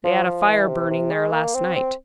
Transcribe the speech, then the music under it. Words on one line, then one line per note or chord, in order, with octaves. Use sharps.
"They had a fire burning there last night."
F3
F3
E3
C3
C3
G#3
A#3
C4
C4